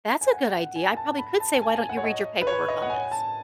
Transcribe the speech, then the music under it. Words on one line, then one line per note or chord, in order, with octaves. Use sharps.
That's a good idea, I probably could say, "Why don't you read your paperwork on this?"
G#5
F#5
F#5
G#5
A5
B5
A5
A5
G#5
G#5
F#5
C#5
D#5
B4
C#5
D#5
F#5
G#5
A5